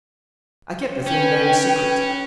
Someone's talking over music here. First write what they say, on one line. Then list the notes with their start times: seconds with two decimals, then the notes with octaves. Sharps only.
I kept the thing very secret.
1.06 C#4 B4 G5